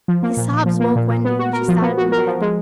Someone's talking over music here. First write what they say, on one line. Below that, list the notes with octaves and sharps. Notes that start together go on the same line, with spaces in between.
His sobs woke Wendy, and she sat up in bed.
F3
A#3
A#2
A#2
F3
A#3
A#2
A#2
B3
F#4
A#4
F3
B3
F#4
A#4
F3
G#3